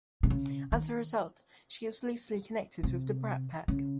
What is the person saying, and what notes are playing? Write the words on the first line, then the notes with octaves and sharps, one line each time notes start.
As a result, she is loosely connected with the Brat Pack.
C3
C#3
D#3
C3
C#3